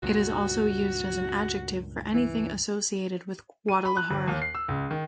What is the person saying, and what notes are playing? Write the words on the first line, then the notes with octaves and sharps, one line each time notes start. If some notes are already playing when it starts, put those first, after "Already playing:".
It is also used as an adjective for anything associated with Guadalajara.
C#2 G2 A#2 F#4
E3
D#7
B5
F#6
G1
D#2
C7
E6
C#2
D#3